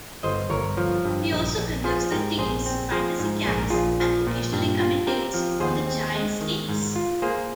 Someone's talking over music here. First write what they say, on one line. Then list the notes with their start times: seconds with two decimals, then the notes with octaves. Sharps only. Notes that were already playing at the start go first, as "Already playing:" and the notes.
He also conducts the team's fantasy camps and occasionally commentates on Giants' games.
0.23 G1 C5 D#5
0.50 G1 A#4 C#5
0.77 F3
1.05 G2
1.31 A#1
1.58 A#1
1.84 F3 G#4 C5
2.12 G#2 G4 A#4
2.38 A#1 G#4 C5
2.66 C4
2.92 F3 G#4 C5
3.19 G#2
3.46 A#1 G#4
3.58 A#4
3.70 A#1 F4 G#4
4.00 F3
4.27 A#2
4.53 G2
4.80 F4
5.07 C4 G4 A#4
5.34 F3
5.60 D#2 G#4 C5
5.87 C4
6.15 G#3
6.41 D#3
6.69 G#2
6.96 F4
7.22 A#3 G#4 C5